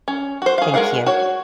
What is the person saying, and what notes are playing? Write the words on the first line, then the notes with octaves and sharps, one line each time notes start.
Thank you.
C#4
F#4 C5
G#4 F5
G#3 C#4 A#4 F5 F#5
F#4 C#5